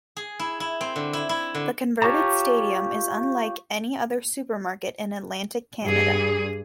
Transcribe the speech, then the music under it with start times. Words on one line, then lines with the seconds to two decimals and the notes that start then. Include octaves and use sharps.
The converted stadium is unlike any other supermarket in Atlantic Canada.
0.17 G#4
0.39 E4
0.60 E4
0.81 C4
0.96 D3
1.13 E4
1.29 E4
1.55 D3
2.02 F4 G4 C#5 A5 A#5
5.82 G2 G#4